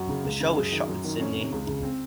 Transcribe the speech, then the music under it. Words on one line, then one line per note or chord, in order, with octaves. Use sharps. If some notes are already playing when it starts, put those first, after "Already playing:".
The show was shot in Sydney.
Already playing: F#2 F#4
C#3
C#2
C#3
F#2 G#4
D#3
F#2
D#3
F2 C#4
D#3
C3
C#2
C#3
C4